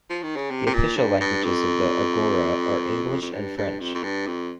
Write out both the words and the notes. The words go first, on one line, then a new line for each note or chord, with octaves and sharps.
The official languages of the Agora are English and French.
F3
D#3
C#3
C3
C3
A#2
G2
G2
F2
F2
G2
G2
F2
F2
G2
F2